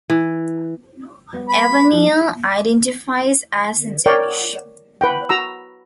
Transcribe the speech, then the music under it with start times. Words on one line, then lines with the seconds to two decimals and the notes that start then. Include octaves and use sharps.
Evanier identifies as Jewish.
0.10 E3
1.33 G3 B3
1.49 B5
1.92 F3 E4 G#4
4.06 A#4 C#5 D5 G5
5.01 B4 F#5 G5
5.29 F#4 A#5 E6